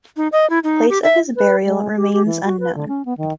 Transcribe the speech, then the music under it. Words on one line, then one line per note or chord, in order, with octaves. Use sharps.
Place of his burial remains unknown.
D#4
D#5
E4
D#4
G4
E5
B4
G#3
G4
G4
E3
F#4
B4
D3
C#4
B3
D#3